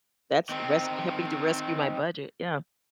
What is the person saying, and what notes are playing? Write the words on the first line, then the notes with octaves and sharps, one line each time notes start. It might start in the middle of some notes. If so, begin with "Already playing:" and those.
That's res helping to rescue my budget, yeah.
D#3 C4